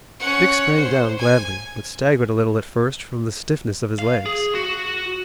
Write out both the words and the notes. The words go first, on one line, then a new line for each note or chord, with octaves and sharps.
Dick sprang down gladly, but staggered a little at first from the stiffness of his legs.
C#4 F#5
C5
G#5
F5
G#4
F#4